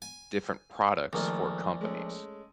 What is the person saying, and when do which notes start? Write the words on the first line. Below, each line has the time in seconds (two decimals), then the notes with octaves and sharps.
different products for companies,
0.02 G#5
1.13 A#1 D#3 G#3 A3
1.81 G#3 A3 C#4